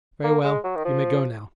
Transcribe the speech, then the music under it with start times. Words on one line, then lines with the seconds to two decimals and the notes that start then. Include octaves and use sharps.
"Very well, you may go now."
0.24 A#3
0.44 G#3
0.64 F#3
0.76 D#3
0.85 F3